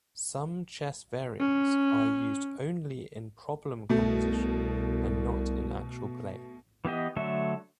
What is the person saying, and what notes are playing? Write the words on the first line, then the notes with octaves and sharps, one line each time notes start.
Some chess variants are used only in problem composition and not in actual play.
C#4
C2 B2 A3
E3 B3 G4 D#5
D3 F#3 A3 A4 E5